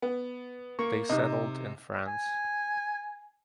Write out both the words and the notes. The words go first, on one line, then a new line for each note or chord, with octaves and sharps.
They settled in France.
B3
A#3 C#6
C3 D#4 D#5
G#5